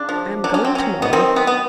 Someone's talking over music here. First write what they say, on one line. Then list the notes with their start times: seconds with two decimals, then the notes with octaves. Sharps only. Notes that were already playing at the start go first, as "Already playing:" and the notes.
I am going to-morrow.
Already playing: C#3 D4
0.09 F3
0.44 F#3 D4
0.54 C#4
0.65 C4
0.75 F#3 C#4
1.02 B3
1.13 D#3 C4
1.36 B3
1.47 B3